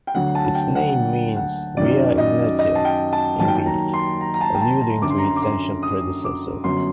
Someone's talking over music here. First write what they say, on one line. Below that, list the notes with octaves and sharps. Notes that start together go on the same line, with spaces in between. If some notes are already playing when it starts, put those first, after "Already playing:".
Its name means "Via Egnatia" in Greek, alluding to its ancient predecessor.
G5
D2 D3 F#3 F#5
A5
A5
G5
F#5
F#5
F#2 D#3 F#3 D5
D#5
D#5
A5
G5
A5
D#2 D#3 F#3 A5
G5
A5
A#5
C6
A#5
A#5
A5
G5
A5
A#5
F#2 D3 F#3 D6
C6
A#5
C6
D6
C6
D#6
D6
G1 F#2 F#3 C6